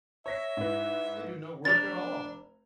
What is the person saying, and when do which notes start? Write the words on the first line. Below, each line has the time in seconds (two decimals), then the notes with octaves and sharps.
They do no work at all.
0.26 C#5 E5 A#6 B6
0.57 G#2 E4 B4
1.65 F1 D4 A6 F7